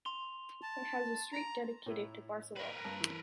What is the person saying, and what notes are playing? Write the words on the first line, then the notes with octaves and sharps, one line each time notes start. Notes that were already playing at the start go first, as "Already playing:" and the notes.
It has a street dedicated to Barcelona.
C6 F7 G7
A5
A#5
A2 E4
A#4 B4
G2 A#3 A5
E3